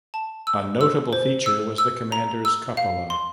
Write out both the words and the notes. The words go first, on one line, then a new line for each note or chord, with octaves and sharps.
A notable feature was the commander's cupola.
A5
E6
E6
C5
E6
E6
A#5
E6
F5
C6